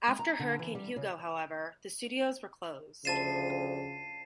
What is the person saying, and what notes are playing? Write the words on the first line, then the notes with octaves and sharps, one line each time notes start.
After Hurricane Hugo, however, the studios were closed.
G#3
A#5
D3
E3
G3
C#3
D2 C#3 F3 A5 A6 C7 D#7 E7